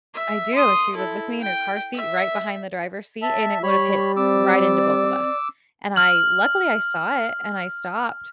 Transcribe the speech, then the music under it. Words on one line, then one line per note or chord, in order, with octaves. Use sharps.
I do, she was with me in her car seat right behind the driver's seat, and it would've hit right into both of us, and I luckily, I saw it and I stopped.
E5
C6 D#6
E4 A4
G5
E5
E5 A5
G3 C#5 B5 C#6
C4 D5 D6 E6
F6 F#7